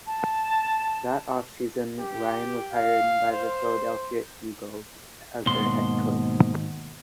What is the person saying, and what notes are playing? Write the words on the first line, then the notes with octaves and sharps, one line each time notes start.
That offseason, Ryan was hired by the Philadelphia Eagles as their head coach.
A5
G4
F5
C5
D#2 G#2 B2 C6